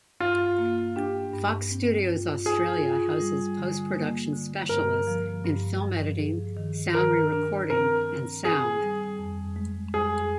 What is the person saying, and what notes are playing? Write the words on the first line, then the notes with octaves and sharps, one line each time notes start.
Fox Studios Australia houses post-production specialists in film editing, sound re-recording and sound.
G2 F4
A#3
D4 G4
G2
C4
F4
F4 G#4
F4
G3
D3
A#3
D3
G2 A#4
F3
G2
F3
G#4
D#3
D#3 A#4
D4
C4 A#4
C4
C4 G#4
G3
F2
G#3
F2 G#4